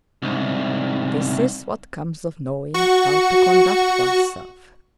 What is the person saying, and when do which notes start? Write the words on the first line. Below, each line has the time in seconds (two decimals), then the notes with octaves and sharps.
"This is what comes of knowing how to conduct oneself."
0.22 C2 G#2
2.74 F#4 C#6